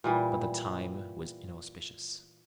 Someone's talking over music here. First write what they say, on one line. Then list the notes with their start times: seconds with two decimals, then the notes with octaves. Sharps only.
But the time was inauspicious.
0.04 A#2 E3 G3